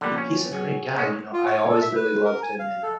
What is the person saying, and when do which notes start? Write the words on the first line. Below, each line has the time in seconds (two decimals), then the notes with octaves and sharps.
he he's a great guy, you know, I always really loved him in, uh,
0.01 D3 F3 G3 A#3 B3
0.18 C#4
0.33 F#3 F4 G4
0.51 F#3 G#4 C#5
0.96 G#3 C#4
1.33 F4
1.46 C#5
1.69 A4
1.82 E5
1.95 B4
2.25 A#4
2.43 G#5
2.59 F5
2.83 A4